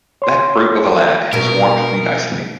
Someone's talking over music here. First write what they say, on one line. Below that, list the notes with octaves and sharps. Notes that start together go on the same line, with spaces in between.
That brute of a lad has warmed me nicely.
C#5 C6
B2 A#3 A#4